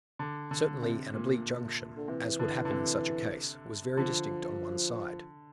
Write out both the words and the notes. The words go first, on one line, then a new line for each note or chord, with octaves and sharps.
Certainly an oblique junction, as would happen in such a case, was very distinct on one side.
D3
D3
C3
A#2
D3
C3 E3
D3
D3
C3
D3 F3